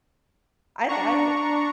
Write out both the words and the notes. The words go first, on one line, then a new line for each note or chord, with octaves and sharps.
I I
D4 A#5 C#6